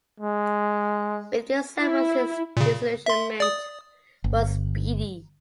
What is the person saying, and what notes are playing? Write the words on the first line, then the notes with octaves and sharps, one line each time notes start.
With these samples his disillusionment was speedy.
G#3
E4
A#2 C#3
E5 C6
D5 D#6
G1